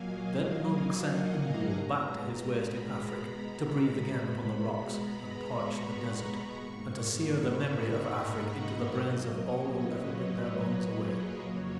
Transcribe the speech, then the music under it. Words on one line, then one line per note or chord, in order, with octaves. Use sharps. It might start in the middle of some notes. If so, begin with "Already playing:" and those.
Then Mung sent Umbool back to his waste in Afrik to breathe again upon the rocks, and parch the desert, and to sear the memory of Afrik into the brains of all who ever bring their bones away.
Already playing: A#2 F#3 A#3 D#5 F5 G#5
D#5
F#5
A#5
G#5
B2 G#3 B3 A#5
B5
B5
B2 G#3 B3
A#5
B5
C#6
B5
C#6
G#2 D#3 A#3
B5
A#5
F#5
D#5
F#5
G#5
A#2 F#3 A#3 D#5
C#5
B4
G#4
A#4
F2 C#3 F#3 A#3 C#5